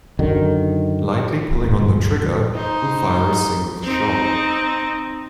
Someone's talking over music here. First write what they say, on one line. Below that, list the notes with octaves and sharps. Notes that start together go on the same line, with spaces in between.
Lightly pulling on the trigger will fire a single shot.
F#2 D3 D#3
G1 D2 G2 A#2
D#4 C5
C4 D#4